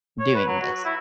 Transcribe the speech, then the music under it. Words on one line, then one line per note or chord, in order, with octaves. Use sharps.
doing this.
C#5
B4
F#3
F#4
E4